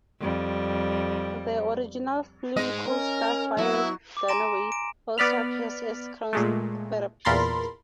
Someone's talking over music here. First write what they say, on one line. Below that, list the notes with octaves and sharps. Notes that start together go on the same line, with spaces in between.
The original film's co-star Faye Dunaway also appears as Crown's therapist.
F2 G3
G#3 D#4 D#5
C#4 A#4
F#3 B3 E4
D6
G#5 A#5 C6 A#6 D7 E7
D7
B3 D5 B5 F6
A#2 G#3 A3
E2 A#2 A#4 B5 C6 A6